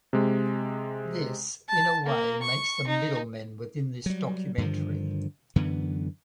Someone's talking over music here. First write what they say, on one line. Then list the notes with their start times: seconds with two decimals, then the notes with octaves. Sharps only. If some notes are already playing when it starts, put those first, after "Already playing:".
This in a way makes them middlemen within this documentary.
0.13 C3 G#3
1.68 A5
2.06 A#3
2.42 C#6
2.88 D#4
4.06 F#3 G3
4.58 G2 D3 D#3 F3
5.56 F#2 D3 E3 B3